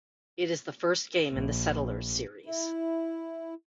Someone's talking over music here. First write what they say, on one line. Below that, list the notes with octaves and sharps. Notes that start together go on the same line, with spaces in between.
It is the first game in "The Settlers" series.
A#1
E4